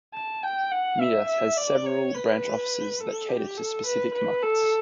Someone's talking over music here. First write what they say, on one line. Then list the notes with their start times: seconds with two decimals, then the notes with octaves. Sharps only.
Midas has several branch offices that cater to specific markets.
0.14 A5
0.43 G5
0.72 F#5
1.00 E5
1.29 E5
1.57 D5
1.86 C#5
2.15 B4
3.00 A4
3.29 G4
3.58 A4
3.86 B4
4.15 B4
4.43 A4